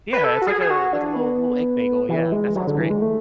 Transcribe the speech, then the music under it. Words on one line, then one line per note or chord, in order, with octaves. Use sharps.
Yeah, it's like a, like a little little egg bagel, yeah, that sounds great.
B4
A4
F#4
G#4
G#4
F#4
D4
B3
E3
G#3
F#3
D3
E3
G#3
A3